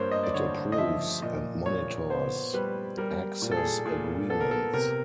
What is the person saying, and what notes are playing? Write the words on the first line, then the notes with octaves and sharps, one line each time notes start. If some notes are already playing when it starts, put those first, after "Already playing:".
It approves and monitors 'access agreements'.
Already playing: G2 A#3 C5 C#5
D#5
D5
D3 C#5
D#5
F3 E5
A#2 D#5
A#2 C#5
B3 C5
G3 B4
G3 A#4
A#2
A4
G#4
A#2 G#4
B3 A4
A#4
A4
C3 A#4